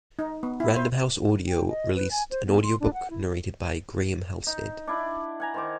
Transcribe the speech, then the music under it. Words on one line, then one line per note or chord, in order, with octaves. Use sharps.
Random House Audio released an audiobook narrated by Graham Halstead.
D#4
B3
E4
C5
G5
D#5
B4
G#5
C5
B3
C6
D4
F#5
E4
D#4
D4 E4 F#5
F#5 G#5 A#5
D#3 C5 D6